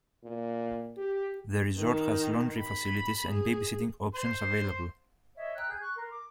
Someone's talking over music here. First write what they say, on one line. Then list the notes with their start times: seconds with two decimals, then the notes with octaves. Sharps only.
The resort has laundry facilities and babysitting options available.
0.24 A#2
0.97 G4
1.78 D#3
2.59 B5
3.30 G#4
4.15 C5 C6
5.35 C#5 D#5 E5
5.55 G5 A#5 E6 F#6
5.68 G#4 G6
5.80 C#6 F#6
5.94 A#4 C6
6.10 D6